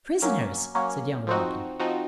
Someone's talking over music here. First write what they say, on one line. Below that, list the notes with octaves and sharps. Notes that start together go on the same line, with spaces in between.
"Prisoners!" said young Robin.
F#3 A#3 C#4
F#3 A#3 C#4
F3 C4 D#4 F#4
F3 C4 D#4 F#4